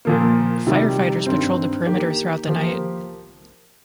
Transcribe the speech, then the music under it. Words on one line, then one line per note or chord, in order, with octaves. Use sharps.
Firefighters patrolled the perimeter throughout the night.
A#2 F3 A#3
C3 D#3 G3
G2 D#3 C4
D#3 A#3 G4
F3 A#3 G4 C5